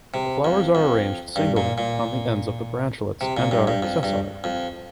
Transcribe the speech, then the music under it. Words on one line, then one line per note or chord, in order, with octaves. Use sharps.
The flowers are arranged singly on the ends of the branchlets and are sessile.
C3
F2
F2
G2
A#2
A#2
C3
A#2
G2
G2
F2
G2
F2